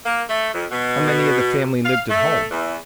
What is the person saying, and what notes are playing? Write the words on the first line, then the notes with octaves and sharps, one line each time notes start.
"How many of the family lived at home?"
A#3
A3
F2
B2
F5
A3
E2